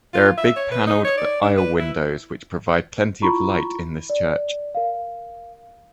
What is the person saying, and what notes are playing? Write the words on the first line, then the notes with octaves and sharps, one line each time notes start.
There are big panelled aisle windows which provide plenty of light in this church.
F4
E5
C#5
B4
D#4
C#5
D5
D4
B4
E4
E4 F4 A#5 B5 C#6
D5
A#4 F5